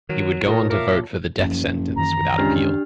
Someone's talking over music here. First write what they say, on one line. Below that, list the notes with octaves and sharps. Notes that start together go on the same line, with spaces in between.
He would go on to vote for the death sentence without appeal.
D#3 F#3
A#2 F4 A#4 C#5 A5 D#6
A#4 E5 F5 D6 C#7
F#1 F#2 F3
F#2 D#3 E3 A#5
C#2 D4 G4 F6